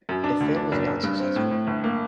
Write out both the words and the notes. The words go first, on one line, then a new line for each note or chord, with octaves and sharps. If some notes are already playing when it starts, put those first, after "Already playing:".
The film was not successful.
F#2
D4
D2
D4
F#1
F#1
G2
C4
A2
A2
G1
A#3